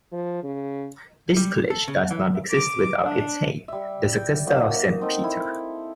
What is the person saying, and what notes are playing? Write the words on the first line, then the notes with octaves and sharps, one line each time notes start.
This college does not exist without its head, the successor of Saint Peter.
F3
C#3
G3
A4
C#3
E3
D6
D4
G3 E5
G5
F#3 A#3 D#4
C4 D#4 A4
E4